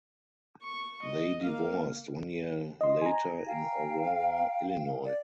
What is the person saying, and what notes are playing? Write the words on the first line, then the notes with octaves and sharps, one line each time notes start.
They divorced one year later in Aurora Illinois.
C#6
D#5
A#3 F5
D#5 C6
G#5 A#5
F5 G5
D5